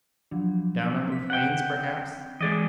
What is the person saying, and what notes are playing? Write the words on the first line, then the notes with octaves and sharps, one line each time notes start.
Down on the plains, perhaps?
F3 F#3 D4
C4 B6
F#5 G5
E3 G#3 G#4 D5 D#5